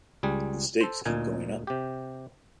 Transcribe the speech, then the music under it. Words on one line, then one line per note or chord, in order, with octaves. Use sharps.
The stakes keep going up.
C#2 G3 G#4
A4 C5
D2 A#2 D#4 G#5
C3 G4